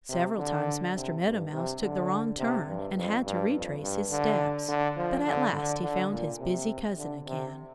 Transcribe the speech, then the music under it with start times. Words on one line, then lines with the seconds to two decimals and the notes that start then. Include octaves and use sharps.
Several times Master Meadow Mouse took the wrong turn and had to retrace his steps. But at last he found his busy cousin again.
0.09 C3
0.37 D3
0.95 C3
1.24 G2
1.52 C3
1.81 D3
2.38 C3
2.67 G2
2.96 F2
3.24 G2
3.53 F2
3.82 G2
4.10 D3
4.68 D3
4.96 F3
5.25 D3
5.54 D3
5.82 D3
6.11 A#2
6.40 C3
6.97 D3
7.26 C3